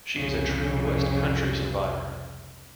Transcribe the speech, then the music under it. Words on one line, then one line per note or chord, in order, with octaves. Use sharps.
She is a true west country survivor.
C2 F2 C#3